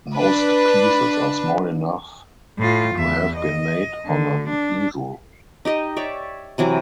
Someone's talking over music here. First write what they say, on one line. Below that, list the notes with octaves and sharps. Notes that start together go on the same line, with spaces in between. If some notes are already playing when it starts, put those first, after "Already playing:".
Most pieces are small enough to have been made on an easel.
D4 B4
A2 F4
E2 E5
D#5
D3
D4
D#4 G4 D#5
C#5 D5 E5
C3 E3 F#3 D6